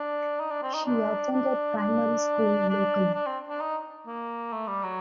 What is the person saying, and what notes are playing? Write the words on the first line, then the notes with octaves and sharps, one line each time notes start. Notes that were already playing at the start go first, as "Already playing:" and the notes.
She attended primary school locally.
Already playing: D4
D#4
D4
C4
D#4
D4
D4
D4
D4
D4
C4
D4
D#4
A#3
A3
G3
F#3